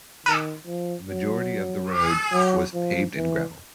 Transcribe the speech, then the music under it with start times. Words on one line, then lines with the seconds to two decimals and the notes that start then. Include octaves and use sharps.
A majority of the road was paved in gravel.
0.26 D#3
0.67 F3
1.08 F#3
2.33 F#3
2.74 F3
3.16 E3